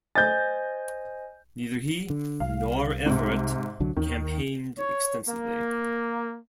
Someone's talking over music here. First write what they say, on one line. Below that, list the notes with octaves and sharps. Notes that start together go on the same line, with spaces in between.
Neither he nor Everett campaigned extensively.
C5 D#5 G#5 G6 A6
D3
C2 F5
G#2 C3
C2 D3 F#3
D#2 D#3
C#5
A#3